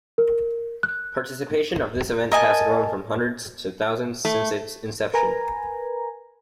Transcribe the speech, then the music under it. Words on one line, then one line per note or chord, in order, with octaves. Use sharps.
Participation of this event has grown from hundreds to thousands since its inception.
A#4
F#6
A#4 D#5 G#5 A5
A3
A#4 B4 G#5 A#5